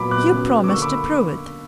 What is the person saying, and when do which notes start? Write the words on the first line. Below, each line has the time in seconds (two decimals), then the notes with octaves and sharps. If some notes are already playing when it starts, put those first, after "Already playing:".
You promised to prove it.
Already playing: A#2 F#3 B3 B5 D6
0.11 D6 F#6
0.31 C#3 F#3 B3
0.64 D6
0.68 D3 A#3 C#6 E6
0.82 B5 D6